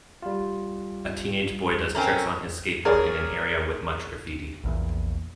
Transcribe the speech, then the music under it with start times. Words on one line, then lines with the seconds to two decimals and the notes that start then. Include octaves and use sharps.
A teenage boy does tricks on his skateboard in an area with much graffiti.
0.22 G3 F4
1.95 C4 C#4 A#4
2.85 G#4 A#4 C#5 D5
4.64 A#1 E2 A#2